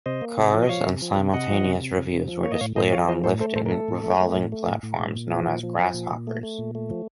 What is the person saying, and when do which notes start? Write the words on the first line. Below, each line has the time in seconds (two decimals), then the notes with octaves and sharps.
Cars and simultaneous revues were displayed on lifting, revolving platforms known as "grass-hoppers".
0.06 C3 C5 D#5
0.21 A#3
0.38 C3
0.53 F3
0.62 D#5
0.69 F3 C#5 F5
0.85 C3
1.02 F3
1.18 C3
1.33 C3 D#5 F#5
1.50 F3
1.65 C3
1.81 C3
1.97 C3
2.13 C3
2.29 F3
2.43 A#3 C#5
2.52 D#5
2.61 A2 C#5 F5
2.76 A2 C5 D#5
2.92 F3 C#5 F5
3.08 F3 C5 D#5
3.24 A2 A4 C5
3.40 A3 A4 C5
3.56 A2 A4 C5
3.66 A#4
3.72 A3 A4
3.88 A2
4.04 A3
4.20 A3
4.36 A2
4.52 A3
4.67 A2
4.83 A2
4.99 A2
5.16 A#2
5.31 F3
5.47 A#2
5.63 F3
5.79 F3
5.94 A#2
6.11 A#2
6.27 A3
6.43 A3
6.59 A#2
6.75 A3
6.91 F3